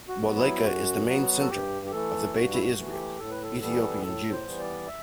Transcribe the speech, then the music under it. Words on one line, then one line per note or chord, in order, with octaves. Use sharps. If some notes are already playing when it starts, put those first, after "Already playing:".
Wolleka is the main centre of the Beta Israel - Ethiopian Jews.
F#4
F#3 B3
E4
F#2 F#4
F#3 B3 F#4
A4
G2 G4
G4
E3 A3 A4
G2 F#4
E4
F#4
E3 A3
G4
A2 A4
B4
A4
E3 G3 B3 A4
A2 A4
C5
E3 G3 B3
D5
E5